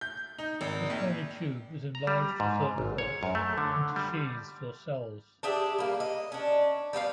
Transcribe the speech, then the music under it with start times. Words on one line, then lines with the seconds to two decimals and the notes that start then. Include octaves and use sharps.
This horny tube is enlarged at certain points into sheaths or cells.
0.01 G6
0.38 D#4
0.61 G#1
0.90 A#1
1.95 A#5
2.07 G3
2.40 G#2
2.78 G#1
2.98 C#5
3.23 F#2
3.35 A3
3.58 D3
3.96 G3
5.43 D4 G4 G#4 E5
5.79 G3 A#3
6.00 D#5
6.32 C#4 D4
6.93 G3 B3 D#4 F5